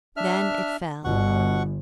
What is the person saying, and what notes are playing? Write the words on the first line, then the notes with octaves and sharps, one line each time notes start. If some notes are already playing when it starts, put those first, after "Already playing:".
Then it fell.
D4 E5 F6
G1 B2 F#5 C#6